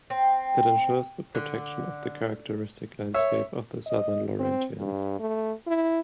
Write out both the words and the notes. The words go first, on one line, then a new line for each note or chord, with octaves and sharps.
It ensures the protection of the characteristic landscape of the Southern Laurentians.
C4
D3
C#5 E5
D#5
C4
G2
A3
E4